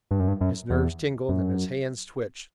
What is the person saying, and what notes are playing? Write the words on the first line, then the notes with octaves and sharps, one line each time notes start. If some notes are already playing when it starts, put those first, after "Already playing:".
His nerves tingled and his hands twitched.
G2
F#2
G2
F#2
E2
F#2